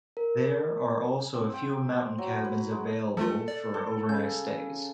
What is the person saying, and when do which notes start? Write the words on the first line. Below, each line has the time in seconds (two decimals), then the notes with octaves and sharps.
There are also a few mountain cabins available for overnight stays.
0.17 A#4
1.34 C4
1.54 G5
2.18 F#3
2.44 B4
2.71 G#3
3.17 F3 A3 F4 A4
3.48 D5
3.74 A4
4.09 C#3 G6